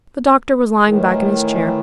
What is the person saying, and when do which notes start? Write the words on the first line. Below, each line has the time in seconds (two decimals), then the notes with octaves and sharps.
The Doctor was lying back in his chair.
0.84 A2 D#3 E3